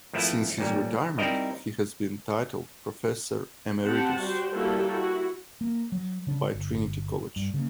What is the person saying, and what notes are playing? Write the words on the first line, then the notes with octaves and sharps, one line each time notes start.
Since his retirement he has been titled "Professor Emeritus" by Trinity College.
G#1 F3 A3 E4 B4 E5
A1 A#2 G3
G3 C4 D#4 E4 A#4 D#5
C4 G4 F#5 A5
G3 F#4 G4 C5
G3 A#3 E4 F#4 G4 A4
E4 F#4
A#3
F#3
C#3 D4
G1
G2
C#3 F#3 A#3